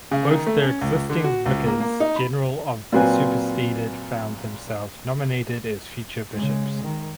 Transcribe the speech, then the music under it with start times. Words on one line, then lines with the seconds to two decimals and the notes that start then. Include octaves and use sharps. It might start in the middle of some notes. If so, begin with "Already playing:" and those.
Both the existing vicars general of the superseded found themselves nominated as future bishops.
0.11 C#3
0.31 D#3
0.46 A3
0.62 C#4
0.81 C#2
1.10 D3
1.24 F#4
1.46 C#2
1.66 A#3
1.80 A#3
2.00 D#4
2.16 B5
2.92 A#2 F#3 C4 B4 G#5
6.35 C#3 G#3
6.83 D#3